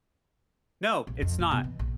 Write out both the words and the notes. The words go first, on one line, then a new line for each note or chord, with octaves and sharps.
No, it's not.
A#1
F2
A#2
B2
E3
A#1